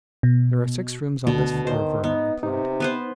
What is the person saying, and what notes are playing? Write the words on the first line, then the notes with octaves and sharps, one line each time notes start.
"There are six rooms on this floor," Werner replied.
B2
D2 B2 D3 A5
D#3 C5
B3 D#4
C3 D#4
B3 B4 C5